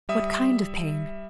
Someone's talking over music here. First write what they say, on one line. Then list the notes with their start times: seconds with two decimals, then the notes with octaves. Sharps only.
What kind of pain?
0.09 G3 E5 D#6